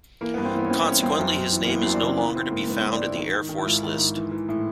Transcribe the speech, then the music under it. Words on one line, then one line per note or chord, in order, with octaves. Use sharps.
Consequently, his name is no longer to be found in the Air Force List.
E3 A#3
G2 B3
C4
E3 B3
C#4
E3 C4
E3 C#4
G2 C4
F#2
F#2
E3
A#3
E3 B3
F#2 C4
D4
C#3 C#4
E3 B3
E3 C4
G#2 A#3
G#2 B3
G#2 C4
D4
G#2 E4
D#3
D#3
D#3
E4
G#2 F4
D#3
G#2
E3
E3
A2